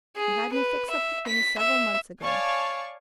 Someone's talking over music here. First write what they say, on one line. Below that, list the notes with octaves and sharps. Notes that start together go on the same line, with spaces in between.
She had me fix up the things several months ago.
G#4
B4
E5
B6
E5
C#5 D5 F5 G#5 A5 C#6